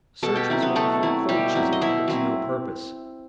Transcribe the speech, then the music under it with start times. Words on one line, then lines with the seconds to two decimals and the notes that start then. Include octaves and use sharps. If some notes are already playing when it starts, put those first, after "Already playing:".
Search was made for a cold-chisel, but to no purpose.
0.23 B2 A4 A5
0.36 G4 G5
0.50 F#3 C4 E4
0.62 B3 B4
0.75 B2 A3 A4
1.03 F#3 C4 E4
1.29 B2 G3 G4
1.55 F#3 C4 E4
1.73 D#5
1.81 B2 E4 E5
2.08 F#3 C4 E4